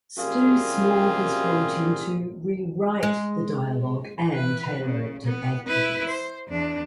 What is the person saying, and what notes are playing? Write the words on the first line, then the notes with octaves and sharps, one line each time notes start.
Stu Small was brought in to rewrite the dialogue and tailor it to Adkins.
F#2 C3 G3 A#3 F4 G#4
G#3
E3 B4
C#3
B3
E4 B4
C5
E2 D4